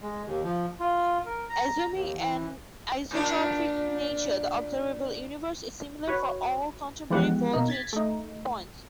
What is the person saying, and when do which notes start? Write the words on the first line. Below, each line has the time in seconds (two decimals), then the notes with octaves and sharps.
Assuming an isotropic nature, the observable universe is similar for all contemporary vantage points.
0.01 G#3
0.26 D#2
0.44 F3
0.80 F4
1.26 A#4
1.50 A#5
1.92 D#2
2.18 E3
3.11 A#2 D4
6.08 F#4 B4 C#5
7.10 E3 F3 G#3 B3 G4 F#5
7.53 B2 A#3 D#4
7.68 G#6 A6 B6
7.93 A3 D#4